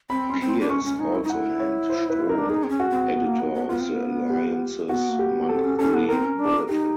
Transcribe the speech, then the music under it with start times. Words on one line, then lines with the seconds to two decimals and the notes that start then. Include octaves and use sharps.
Pierce also named Strom editor of the Alliance's monthly "Bulletin".
0.10 C4 B5
0.30 C#4 C6
0.40 C4
0.49 C6
0.61 D4
0.70 C#4 C#6
0.85 C#4
0.99 D#4 G#5
1.15 E4
1.24 D#4
1.30 E4 F#5
1.60 C#5
1.90 C5
2.10 B4
2.29 A#4
2.38 D4
2.49 D#4 G#4
2.64 C4
2.69 C#4
2.80 F#4
2.90 C4
3.10 B3
3.25 A#3
3.40 B3
3.55 B3
3.69 B3 F4
3.81 C4
3.92 B3
4.30 G4
4.89 B3 F#4
5.09 A#3
5.19 G4
5.29 B3
5.49 C4 A4
5.64 C#4
5.79 C#4 A4
5.94 B3
6.09 C4 A#4
6.25 C#4
6.39 D4
6.69 D#4 G4